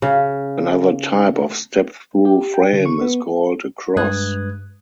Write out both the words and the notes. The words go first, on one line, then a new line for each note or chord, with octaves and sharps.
Another type of step-through frame is called a "cross".
C#3
G4
G5
D3
C#6
B3
G2 G#3 B4 D#6 F#6 G#6